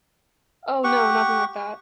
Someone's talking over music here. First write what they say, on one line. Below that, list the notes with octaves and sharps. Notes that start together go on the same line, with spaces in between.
Oh, no, nothing like that!
G4 F#5 C#6